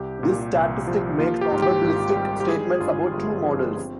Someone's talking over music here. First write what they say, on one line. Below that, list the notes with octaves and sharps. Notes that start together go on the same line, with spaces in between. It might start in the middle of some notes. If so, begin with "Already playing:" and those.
This statistic makes probabilistic statements about two models.
Already playing: C2 G4
A#2
C2
F3
A#3 F4
G4
G#2
G4
G#1
G3
G4
G#3 G#4
G2 F4
G1
F3
C4